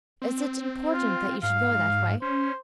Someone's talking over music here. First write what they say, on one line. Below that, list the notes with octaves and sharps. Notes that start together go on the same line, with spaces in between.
"Is it important that you should go that way?"
C4
F4
G#2 F5
C#4 C5